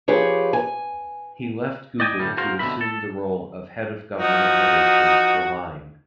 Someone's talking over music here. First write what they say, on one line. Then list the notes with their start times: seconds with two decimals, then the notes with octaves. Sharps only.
He left Google to assume the role of head of government relations for Lime.
0.08 F3 G4 G#4 B4 C#5
0.53 G#5
2.00 D5 D#5 G5 G#5
2.19 D2 A2 G3
2.37 F#4 G#4 A#4 C5 F5
2.59 B2 D3 C4 D4 E5 B5
2.81 A4
4.18 F3 D#4 F#4